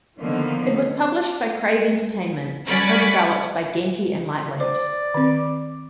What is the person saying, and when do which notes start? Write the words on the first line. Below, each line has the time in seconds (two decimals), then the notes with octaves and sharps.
It was published by Crave Entertainment, and co-developed by Genki and Lightweight.
0.18 D3 D#3 F3 A#3 B3
2.67 G3 C#4 D5 F#5 B5 B6
4.60 C5 D5
5.14 D#3 C4